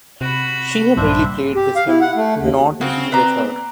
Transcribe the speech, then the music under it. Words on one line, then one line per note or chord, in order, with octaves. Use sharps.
She had really played with him, not he with her.
C3 F#4 B5
A#1 G2 G3 D4 C5 E5
G4
F5
E4
F#5
A3
D#2
C#3 C4 F#4
B4 D5 A#5